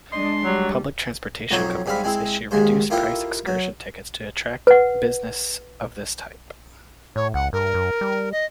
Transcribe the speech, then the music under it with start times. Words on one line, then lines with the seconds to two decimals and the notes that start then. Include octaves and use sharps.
Public transportation companies issue reduced price excursion tickets to attract business of this type.
0.12 G#3 D4 D#5 C6
0.44 F#3 G3
1.51 B1 F2 F#3 C5 C#5 A#5
1.86 G#2 G3 C4 F5 B5
2.04 G#3 C4 E4
2.51 D#2 G#2 G#3 C5
2.90 A#3 E4 F4 G4 A4 D#5
3.47 F#3
4.67 B4 F#5
7.16 A2 C#5
7.34 C#2 F#5
7.53 G2 A#4
7.74 F#2
8.01 G3
8.32 D#5